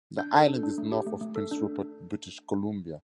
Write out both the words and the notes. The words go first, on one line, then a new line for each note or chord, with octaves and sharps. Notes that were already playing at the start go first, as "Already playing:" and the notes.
The island is north of Prince Rupert, British Columbia.
D4 G6
A4
D4
D4
A3
G4
A3
A3
A4
D4